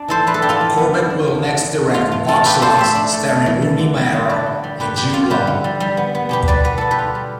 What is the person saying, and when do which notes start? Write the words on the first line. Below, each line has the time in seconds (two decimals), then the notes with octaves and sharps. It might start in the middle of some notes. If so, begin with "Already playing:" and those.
Corbet will next direct "Vox Lux" starring Rooney Mara and Jude Law.
Already playing: D4
0.08 E3 A4 C5
0.27 D4 B4
0.34 A4
0.42 D4 G4
0.49 F4 A4
0.61 E3
0.77 B3
0.94 D4
1.10 D4
1.27 E3
1.45 D4
1.61 E3
1.78 A3
1.94 A3 F4
2.12 E3 F4
2.27 D4 F4 A4
2.45 F4 G4 B4
2.61 A3 A4 C5
2.77 A3 C5 E5
2.95 D4
3.13 A3
3.29 A3
3.46 E3
3.62 A3
3.79 D3
3.97 G3
4.13 G3
4.29 D4 B4 D5
4.46 D3
4.64 G3
4.80 D3 G4 B4
4.97 G3 G4
5.13 D3 F4
5.30 G3 G4 B4
5.47 D3
5.64 G3
5.80 G3
5.97 B3
6.15 B3
6.29 B2 G4 B4
6.48 G3 B4 D5
6.64 B3 B4
6.78 B3 A4
6.91 G4 B4
6.99 F4
7.15 G3